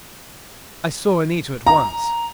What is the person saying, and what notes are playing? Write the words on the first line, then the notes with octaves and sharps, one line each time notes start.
I saw Anita at once.
A#5